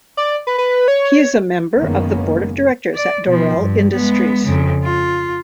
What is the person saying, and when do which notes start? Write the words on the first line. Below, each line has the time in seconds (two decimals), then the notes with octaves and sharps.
He is a member of the Board of Directors at Dorel Industries.
0.17 D5
0.47 B4
0.58 B4
0.88 C#5
1.77 F#1 D#3 G#3 A#3 B3 C#4
2.95 D5
3.27 B2 F3
3.57 G2
3.94 G#3 B3
4.44 F2 C#3
4.84 F4